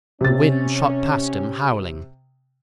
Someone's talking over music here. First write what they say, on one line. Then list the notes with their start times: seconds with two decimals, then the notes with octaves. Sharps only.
The wind shot past him howling.
0.21 C3 C#4 A6